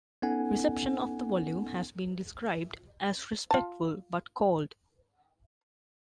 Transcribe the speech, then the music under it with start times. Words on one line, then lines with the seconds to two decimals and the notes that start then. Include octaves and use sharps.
Reception of the volume has been described as respectful but "cold".
0.22 B3 C#4 D#4 A4 F#5 G#5
3.51 F4 A5